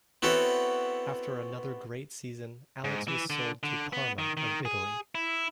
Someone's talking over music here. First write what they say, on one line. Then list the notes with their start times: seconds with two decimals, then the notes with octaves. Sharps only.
After another great season, Alex was sold to Parma, of Italy.
0.22 B3 C4 E4 F#4 A4 C#5
2.84 G#2
3.08 E3
3.30 D3
3.63 D3
3.93 B3
4.18 D#3
4.37 D#3
4.65 G#4
5.15 E4